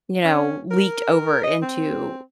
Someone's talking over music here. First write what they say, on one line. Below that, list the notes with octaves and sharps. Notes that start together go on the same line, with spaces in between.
you know, leaked over into,
C#4
A#4
D#5
C4